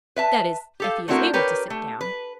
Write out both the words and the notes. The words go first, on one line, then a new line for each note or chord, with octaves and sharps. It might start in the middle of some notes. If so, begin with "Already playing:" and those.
That is, if he is able to sit down.
B4 E5 A5
G4 A4 F5
A3 C4 D4 E4 F#4 A#4
G4 A#4 B4 C#5
A3
B4